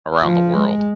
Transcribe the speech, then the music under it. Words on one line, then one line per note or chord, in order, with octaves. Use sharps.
around the world.
F3
G#3